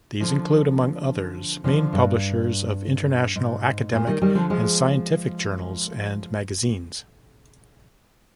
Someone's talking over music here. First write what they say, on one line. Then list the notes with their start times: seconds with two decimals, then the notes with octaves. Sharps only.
These include, among others, main publishers of international academic and scientific journals and magazines.
0.20 D3 F3
1.64 D3 F3
1.93 G2
3.36 G#2
3.93 A#2
4.07 D#3 G3
4.21 D#3 G3
4.35 D3 F3
4.50 F3 G#3